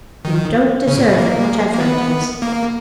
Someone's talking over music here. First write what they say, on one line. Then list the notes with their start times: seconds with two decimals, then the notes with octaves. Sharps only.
You don't deserve it, whatever it is.
0.25 D#3
0.87 C#3
0.98 A#2
1.08 B2
1.18 A#3
1.73 A#3
1.80 B3
2.42 A#3